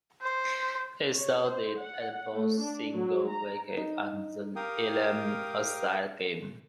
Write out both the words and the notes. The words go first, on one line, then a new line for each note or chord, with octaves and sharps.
He excelled at both single wicket and the eleven-a-side game.
C5
C#5
C5
F#5
A3
D4
F#3
A#5
D#4
G4 A#4 F5 G5 D#6